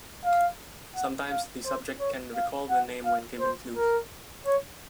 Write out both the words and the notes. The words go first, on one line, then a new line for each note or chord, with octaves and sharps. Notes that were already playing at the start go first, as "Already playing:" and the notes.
Sometimes the subject can recall the name when given clues.
F5
F#5
F5
C5
C#5
F5
F#5
F5
C5
A#4
C#5